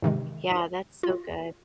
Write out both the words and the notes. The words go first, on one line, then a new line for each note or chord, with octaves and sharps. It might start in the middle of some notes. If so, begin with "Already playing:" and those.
Yeah, that's so good.
G#2 C3 D#3 G#3
F4